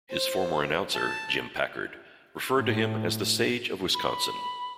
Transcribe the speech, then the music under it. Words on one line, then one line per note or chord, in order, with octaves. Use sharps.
His former announcer, Jim Packard, referred to him as The Sage of Wisconsin.
C5
A5
A2
B5